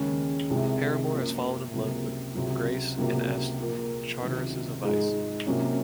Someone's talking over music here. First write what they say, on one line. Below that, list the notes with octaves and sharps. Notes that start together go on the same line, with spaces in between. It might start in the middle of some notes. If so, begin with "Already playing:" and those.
Paramore has fallen in love with Grace and asks Charteris's advice.
Already playing: D#2 C#3 G#3 C#4
C2 C3 F3 G#3
F#2 F3 A#3
C#2 C3 F#3 A#3
C#2 C3 F#3
C#2 C3 F#3 A#3
A#2 F3 A#3 F4
C#2 C3 D#3 F#3
G#2 F3 G#3 D#4 G#4
C3 F#3 A#3 C#4 F4